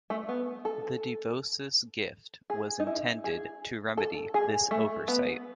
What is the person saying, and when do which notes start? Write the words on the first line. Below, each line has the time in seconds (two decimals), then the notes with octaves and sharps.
The DeVoses' gift was intended to remedy this oversight.
0.10 A3
0.29 B3
0.65 A4
2.50 G#4
2.80 D#4
2.87 E4
3.24 G#4
3.97 A4
4.34 G#4
4.71 A3
5.08 B3